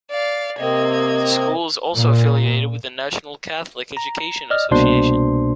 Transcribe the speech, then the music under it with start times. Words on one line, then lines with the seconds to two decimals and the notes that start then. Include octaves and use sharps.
The school is also affiliated with the National Catholic Education Association.
0.11 D5 F5
0.58 C3 A#3 C4 D#5 G#6
1.96 A#2
3.97 A#5
4.50 D5 D#5 F6
4.71 C2 B2 A#3 D4 C5 C6